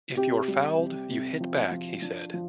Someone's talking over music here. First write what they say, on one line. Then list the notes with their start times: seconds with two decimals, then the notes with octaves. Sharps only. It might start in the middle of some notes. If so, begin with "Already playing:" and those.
If you're fouled, you hit back, he said.
0.16 C3 G4
0.48 G3
0.78 C3
1.10 C3
1.40 F3
1.71 F3
2.02 F3 D4
2.34 F3